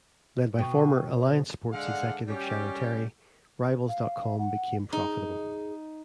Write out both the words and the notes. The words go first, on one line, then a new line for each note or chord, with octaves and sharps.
Led by former AllianceSports executive Shannon Terry, Rivals dot com became profitable.
B2 G5 C#6
C5
D3 G#3 D4 F5 F#5
G3 C#4 F#4 G4
F5
F#5
D#4 G#4